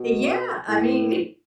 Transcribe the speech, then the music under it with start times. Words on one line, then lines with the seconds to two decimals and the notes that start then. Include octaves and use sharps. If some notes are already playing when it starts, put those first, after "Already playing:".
Eh yeah. I mean,
Already playing: B2
0.68 A2